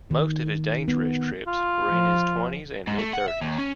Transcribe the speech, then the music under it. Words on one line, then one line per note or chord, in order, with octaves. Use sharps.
Most of his dangerous trips were in his twenties and mid thirties.
D#3
B3
F4
F3
G#2
A3
F#5
E5
D#2
C#4